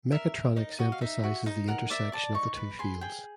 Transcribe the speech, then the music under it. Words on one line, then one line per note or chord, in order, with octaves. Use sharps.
Mechatronics emphasizes the intersection of the two fields.
A#4 E5
A#4
D#4 D#5
F#4 D#5
F5
D#4 E5
F#4
D#4
A#4 F#5
D5 E5
D5 A5
D#4 C#6
B4
G#4 C6
G#4 G5